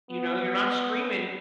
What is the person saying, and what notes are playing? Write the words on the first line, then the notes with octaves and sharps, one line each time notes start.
you know, you're not streaming
B3